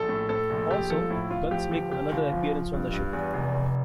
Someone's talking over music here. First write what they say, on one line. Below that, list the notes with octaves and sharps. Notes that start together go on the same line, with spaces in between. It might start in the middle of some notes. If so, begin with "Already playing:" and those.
Also, guns make another appearance on the show.
Already playing: A#1 A4
A2
A2 A4
A#1
A#1 G4
F3 A4
A2 E4
A2 F4
F3 G4
G1 G4
G1 G4
G1 F4
F3
F3
G2
G2
E2
F1
F1